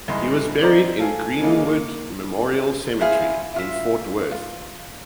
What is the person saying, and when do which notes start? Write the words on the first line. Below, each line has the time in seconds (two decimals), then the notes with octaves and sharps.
He was buried in Greenwood Memorial Cemetery in Fort Worth.
0.08 C2 G#2 E3 D#5 B5 C6
0.59 C4 D#4 C5 D5 A#5
0.99 A4 F5 G#5
1.41 C#3 E3 G#3 A#3 D#4 F4
1.65 A#3
3.01 E4 G#4 C5 F5
3.54 E4 F4 E5
4.31 F4